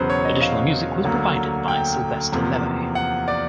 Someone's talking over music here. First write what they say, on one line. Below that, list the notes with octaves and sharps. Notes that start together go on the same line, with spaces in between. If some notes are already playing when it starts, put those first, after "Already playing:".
Additional music was provided by Sylvester Levay.
Already playing: E1 E2 C#3 F#3 B4 C5
C#5
D#5
F5
D2 D3 F#3 A#3
G5
E2 C3 F3 A#3
F#5
D5